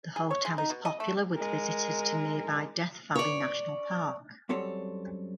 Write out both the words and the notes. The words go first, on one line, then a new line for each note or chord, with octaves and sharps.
The hotel is popular with visitors to nearby Death Valley National Park.
G#4
C#5
G#3
D#4
B2
D#5
A3
G#3 A#4
C#5 D5
F#2 G3 C4 A4 C#5